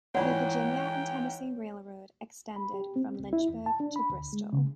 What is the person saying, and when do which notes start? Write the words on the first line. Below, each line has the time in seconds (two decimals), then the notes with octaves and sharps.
The Virginia and Tennessee Railroad extended from Lynchburg to Bristol.
0.15 G#2 E3 F4 C#5 D5 F#5 G5
2.56 B5
2.74 G4
2.96 C4
3.20 C#2
3.33 E4
3.49 E2
3.66 A5
3.80 D4
3.96 B5
4.10 D2
4.33 G#3
4.53 C#3